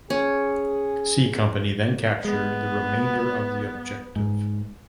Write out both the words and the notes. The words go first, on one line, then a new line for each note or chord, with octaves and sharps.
C Company then captured the remainder of the objective.
C#4 G#4
G#3 B3
G#2